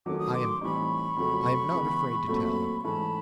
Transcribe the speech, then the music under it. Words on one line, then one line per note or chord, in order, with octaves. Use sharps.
I am--I am not afraid to tell.
D#3 F#3 A3 C#4 D6
D#6
C6 D6
A2 E3 G3 C4 D#4 B5 C#6
F2 C#3 F#3 A3
C#3 E3 G#3 B3
A#2 F#3 A3 C4
C6
G#2 E3 A3 C#4 A5 B5